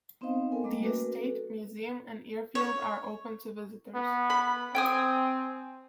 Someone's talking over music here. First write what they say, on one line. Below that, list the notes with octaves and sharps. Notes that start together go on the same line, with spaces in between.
The estate, museum, and airfield are open to visitors.
B3 C4 D#4 C5 D#5 F5
B3 A4 A#4 G5 G#5
G3 A3 A#3 D#5 D6
C#4 F#4 A#4 B4
A4
C#5
B3
B5
C4 G5 G#5 D#6